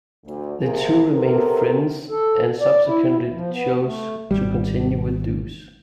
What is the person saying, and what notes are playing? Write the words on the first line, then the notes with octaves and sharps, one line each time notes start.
The two remained friends and subsequently, chose to continue with Dos.
D2
C3 A#3 G#4
C3 B3 A4 A#4
A4
D5
E4
D#2
F3
B3
A3
G#1 G3